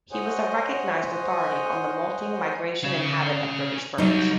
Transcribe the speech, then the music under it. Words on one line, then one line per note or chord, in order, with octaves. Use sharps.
He was a recognised authority on the moulting, migration, and habit of British birds.
C5 C#5 D#5 F#5 G#5
C#4 F5
C2 F#3 G3 D#4